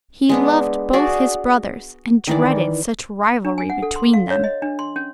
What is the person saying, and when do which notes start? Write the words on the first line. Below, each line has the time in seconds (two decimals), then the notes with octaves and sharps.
He loved both his brothers, and dreaded such rivalry between them.
0.29 G#3 B3 D4
0.93 F#4 G#4 D5
2.27 D#3 E3 D5
3.45 D4
3.58 G#5
3.70 F#5
3.82 A4
3.96 C6
4.13 F5
4.30 C#5
4.44 D#5
4.62 D4
4.79 C6
4.96 C#4